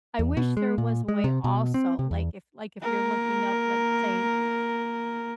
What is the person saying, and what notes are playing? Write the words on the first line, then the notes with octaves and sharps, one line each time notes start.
I wish there was a way also. Like, if like, if you looking up, let's say
E2
B2
G#3
A#2
G#3
C3
B2
C4
C3
E2
A#3 A#4